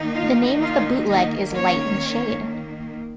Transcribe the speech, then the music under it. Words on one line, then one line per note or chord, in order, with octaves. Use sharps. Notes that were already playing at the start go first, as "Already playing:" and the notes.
The name of the bootleg is "Light and Shade".
Already playing: D#3 A#3 D#4
F4 F5
F4 F5
D#4 D#5
C#4 C#5